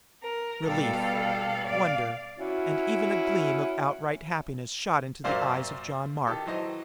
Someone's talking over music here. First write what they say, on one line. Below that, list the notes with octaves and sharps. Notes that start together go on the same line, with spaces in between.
Relief, wonder, and even a gleam of outright happiness shot into the eyes of John Mark.
A#4
B2 G3 A4 F5
D5 F5
C#4 E4 F#4
F#2 A#2 A#3 C5 D5 F5
D#3 G4 A4
E3 F#3 C5 D#5